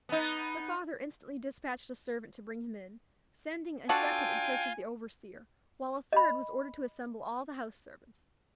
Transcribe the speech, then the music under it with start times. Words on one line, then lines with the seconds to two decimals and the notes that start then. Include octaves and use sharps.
The father instantly despatched a servant to bring him in; sending a second in search of the overseer; while a third was ordered to assemble all the house-servants.
0.09 B3 D#4
3.89 D4 F4 F#4 A4 G5 G#5
6.13 D#5 B5